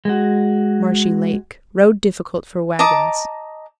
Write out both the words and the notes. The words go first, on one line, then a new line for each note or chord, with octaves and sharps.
Marshy Lake.--Road difficult for wagons.
G#3 F#4
D#5 A5 A#5 D6